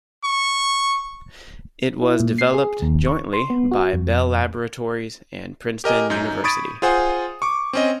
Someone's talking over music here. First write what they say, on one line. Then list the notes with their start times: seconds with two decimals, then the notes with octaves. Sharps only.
It was developed jointly by Bell Laboratories and Princeton University.
0.24 C#6
2.02 E4
2.20 A#2
2.38 C7
2.54 G#4
2.82 D#2
3.07 C#6
3.33 C6
3.50 B3
3.72 F#4
3.93 F2
5.84 G4 A#4 D#5 G#5
6.10 F#2 D#4 G6
6.44 B5 C#6 D#6 G#6 A6 D7
6.82 F4 G#4 C5 F#5 G#5 D#6
7.42 C#6 D6
7.73 C4 C#4 D#5